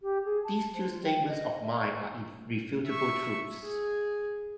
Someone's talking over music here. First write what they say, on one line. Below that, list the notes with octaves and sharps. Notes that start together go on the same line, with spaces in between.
These two statements of mine are irrefutable truths.
G4
G#4
A5
C5
F4
G5
D#5
E5
C#6
E5 C#6
G#4